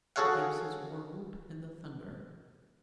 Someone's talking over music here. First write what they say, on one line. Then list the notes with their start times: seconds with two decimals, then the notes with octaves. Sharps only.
He gives his war-whoop in the thunder.
0.16 F#4 G#4 A4 C#5 F5 F#5